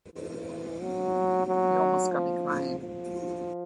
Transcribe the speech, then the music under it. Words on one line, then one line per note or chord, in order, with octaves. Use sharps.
You almost got me crying.
E3
F#3
F#3
F3
F3